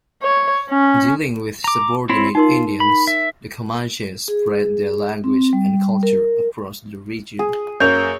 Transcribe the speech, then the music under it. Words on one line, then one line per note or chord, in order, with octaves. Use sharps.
Dealing with subordinate Indians, the Comanche spread their language and culture across the region.
C#5
C#4
A#5 D6
C4 E4 C#5 C6
D#4 F4 A#4 C6
B5
E5
G#4
C4
G3
A#4
G#4
F#2 A#3 C#5 G6 F7